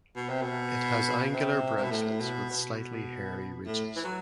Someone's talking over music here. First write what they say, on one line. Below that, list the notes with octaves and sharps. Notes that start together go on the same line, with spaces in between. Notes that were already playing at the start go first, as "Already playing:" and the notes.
It has angular branchlets with slightly hairy ridges.
B2
C3
B2
C3
C3
B2
A2
B2
B2
A2
E3
F#3